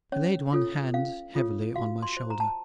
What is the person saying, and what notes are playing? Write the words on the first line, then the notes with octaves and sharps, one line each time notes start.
He laid one hand heavily on my shoulder.
C#4 C#5
F4 A4 C#5
C#4 F5
F4 A4 C#5
F#4 F5
C6
C5
A#5
A5